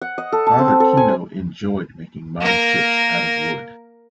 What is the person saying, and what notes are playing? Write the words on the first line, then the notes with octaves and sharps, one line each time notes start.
Father Kino enjoyed making model ships out of wood.
F#5
D#5
A4
A5
C4
A4
G#5
A#3 A#4